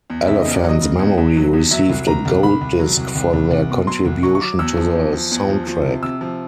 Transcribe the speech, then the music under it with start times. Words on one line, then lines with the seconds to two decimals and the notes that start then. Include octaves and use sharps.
Elephant's Memory received a gold disc for their contribution to the soundtrack.
0.10 E2
0.28 C#3 E5
0.41 E2 D#5
0.55 D5
0.63 F#3
0.69 D#5
0.81 C#3
0.99 E2
1.17 E2
1.35 F#3
1.53 E2
1.71 F#3 E5
1.89 C2
2.07 C2 A#5
2.25 C2
2.43 C2 B5
2.61 C2
2.79 F#3
2.97 C2
3.15 C2
3.33 C2
3.51 C2
3.69 B2
3.87 F#3 C6
4.05 C2
4.23 F#3 C#6
4.35 C#6
4.41 F#3 D6
4.59 E2 E6
4.77 F3
4.95 E2
5.13 F3
5.31 E2
5.49 F3
5.67 F3
5.85 C3
6.03 C3 E6
6.21 F3